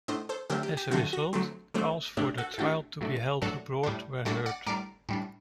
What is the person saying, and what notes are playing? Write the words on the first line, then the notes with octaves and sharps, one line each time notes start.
As a result, calls for the trial to be held abroad were heard.
A2 A3 D4 C5 D#5
A4 C5
D3 F#3 A3 C4 G4 A#4
G4
G4
D3 F#3 A3 C4 F#4
F#4
D3 F#3 A3 C4
D3 F#3 A3 C4
A2 F#3 A3 D4 G4
F#4 A4
A4
A2 F#3 A3 D4 G4
A2 F#3 A3 D4
A2 F#3 A3 D4 F#4 A4
A2 G3 D4
A2 G3 D4 F#4 A4
D5 F#5
A2 G3 D4 A#4 D5
A2 G3 D4